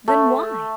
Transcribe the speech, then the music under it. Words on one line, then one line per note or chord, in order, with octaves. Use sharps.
Then, why?
A3